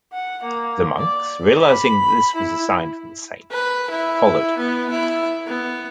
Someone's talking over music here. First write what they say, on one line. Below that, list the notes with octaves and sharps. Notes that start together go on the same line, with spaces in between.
The monks, realising that this was a sign from the saint, followed her.
F#5
A#3
D5
B5
E4
B4
E4
B3
E4
B3